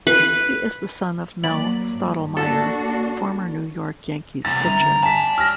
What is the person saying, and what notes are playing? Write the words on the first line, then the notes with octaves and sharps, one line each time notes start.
He is the son of Mel Stottlemyre, former New York Yankees pitcher.
B4
F#3 A#3 D5 B5
G2
A#3 D4 F#4 A4
E2 C3 A6
G1 A#4
D5 G#5 A5 B6
F6 A#6